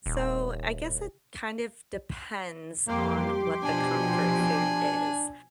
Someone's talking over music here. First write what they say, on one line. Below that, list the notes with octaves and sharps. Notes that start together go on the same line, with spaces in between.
So, I guess it, kind of, depends on what the comfort food is,
D#1
F2 G3 A#3 G4 C6 D6
B2 F3 D4 G#5